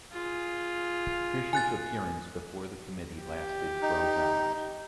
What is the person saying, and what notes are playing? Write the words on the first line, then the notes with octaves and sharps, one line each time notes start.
Fischer's appearance before the committee lasted twelve hours.
F4 G#4
G#5 F#6 A6
G4
D#4